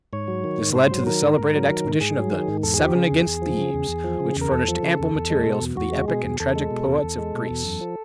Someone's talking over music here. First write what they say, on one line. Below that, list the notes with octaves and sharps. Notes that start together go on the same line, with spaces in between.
This led to the celebrated expedition of the "Seven against Thebes," which furnished ample materials for the epic and tragic poets of Greece.
G#2 C#5
F#3
D#3
G#2
G#2 C5
F#3
D#3 A#4
G#2
G#2
F#3
D#3
G#2
G#2 G#4
F#3
D#3
G#2
E2 A4
G#4
F3 G4
C#3 G#4
E2
E2
F3
C#3
E2
E2
F3
C#3
E2
A#4
E2 A4
F3
C#3
E2
E2
G#3
B2
E2
E2 F#4
G#3
B2 G#4
E2
E2 A4
G#3
B2
E2
E2
G#3
B2
E2
F#2
F3